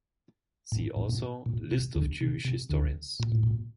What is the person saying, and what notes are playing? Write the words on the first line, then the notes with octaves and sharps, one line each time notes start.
See also List of Jewish historians.
A2
A2
A#2
A#2
C3
D2 D3
C3
C3
D2 D3
A#2
A2
A#2